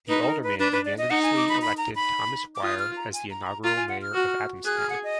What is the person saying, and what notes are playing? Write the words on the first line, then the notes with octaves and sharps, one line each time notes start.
The aldermen unanimously elected Thomas Weir as the inaugural mayor of Adamstown.
D#4 B4
A#4
B4
D4 B4
B4
D5
D#5
D#4 F#5
G#5
D6
B5
B5
A#5
B5
D6
F4 D#6
F6
A#5
G#5
A#5
B5
A#5
F4 A#5
G#5
F#5
F6
F#4
G#4 F#6
F6
F#5
D#5